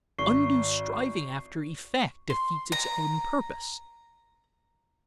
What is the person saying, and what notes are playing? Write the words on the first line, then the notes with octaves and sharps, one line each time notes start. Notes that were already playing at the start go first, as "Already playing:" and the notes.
Undue striving after effect defeats its own purpose.
G#1 C#6 C7
C6
A#5